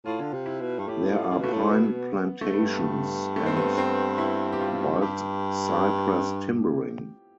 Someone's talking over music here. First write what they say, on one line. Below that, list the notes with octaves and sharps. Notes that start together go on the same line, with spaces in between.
There are pine plantations and baldcypress timbering.
A2 F4
D3
C3
E4
B2
G2
A2 G4
F4
A2
B2 A3
A2
B2 B3
A3
G2 B3
A3
C4
B3
C4
E4
G4
F4
G2 G4